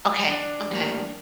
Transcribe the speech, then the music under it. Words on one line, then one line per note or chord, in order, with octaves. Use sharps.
Okay, okay.
D4
A2 G3 A#3